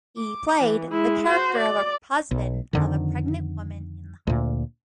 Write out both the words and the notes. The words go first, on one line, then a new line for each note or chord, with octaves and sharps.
He played the character of a husband of a pregnant woman in the hospital.
D6
E3
G#3 E4
F#4 C5
D5
B1
F2 D3 D#3
D2 A#2